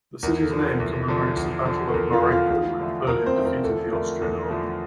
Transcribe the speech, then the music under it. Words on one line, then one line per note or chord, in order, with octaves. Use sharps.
The city's name commemorates the Battle of Marengo, where Napoleon defeated the Austrian army.
E2 A#4
A4
D3 F3
A#4
E2
D3 F3
E2
D3 F3
A4
E2 A#4
F4 F5
D3 F3
F4 F5
E2
D3 F3 A3
E2 A#4
C4 C5
D3 F3 A3
A#4
E2 A4
D3 F3 A3 A#4
E2 A4
D3 F3 A3